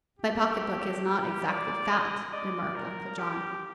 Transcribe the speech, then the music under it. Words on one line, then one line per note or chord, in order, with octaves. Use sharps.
"My pocketbook is not exactly fat," remarked Uncle John.
G4
G4
D5
D#5
D5
A#4
G4